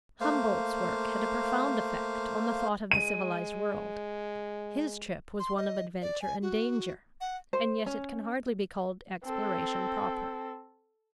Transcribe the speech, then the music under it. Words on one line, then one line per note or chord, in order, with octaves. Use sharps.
Humboldt's work had a profound effect on the thought of the civilized world; his trip was one of adventure and danger; and yet it can hardly be called exploration proper.
A3 A#3 C5 F5
G#3 D#7
C6
D#5
D5
G#5
F#4
F#5
C5
C#4
C4 A4